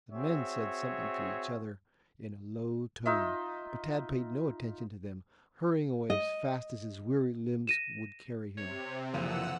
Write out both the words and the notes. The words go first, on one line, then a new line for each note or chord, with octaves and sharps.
The men said something to each other in a low tone, but Tad paid no attention to them, hurrying away as fast as his weary limbs would carry him.
C4 F#4 G#4 C#5 E5
D#4 F4 D#5 E5
D#5
A#6 D#7 E7
C3 C#5
F#1 A#2 D3 E3 F3 F#5 E6 D#7